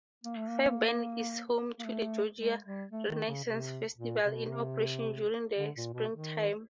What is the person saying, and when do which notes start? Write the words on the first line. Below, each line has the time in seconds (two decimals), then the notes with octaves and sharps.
Fairburn is home to the Georgia Renaissance Festival, in operation during the springtime.
0.24 A#3
0.37 A3
0.48 A#3
1.79 A#3
1.85 A3
2.38 G#3
2.65 G3
2.91 A3
3.09 D#3
3.28 C#3
3.44 C3
3.98 A#2
4.25 C3
4.37 B2
4.49 C3
5.58 D3
5.77 A#2
5.93 B2
6.11 D#3